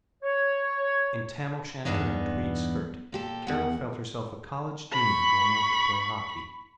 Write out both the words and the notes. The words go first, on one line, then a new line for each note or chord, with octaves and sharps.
In tam o'shanter and tweed skirt Carol felt herself a college junior going out to play hockey.
C#5
E2 G2 C3 B3 D4 D#4
A#2 G4 A4
E2 F#5
B5 C#6